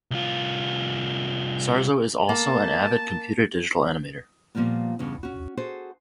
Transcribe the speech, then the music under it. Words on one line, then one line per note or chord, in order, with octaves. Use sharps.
Sarzo is also an avid computer digital animator.
C2 F4
A#3 A5
A#2 F3 G3 A#3 B3
E2 G2 C#3
C#4 F#4
F#4 G#4 A4 C5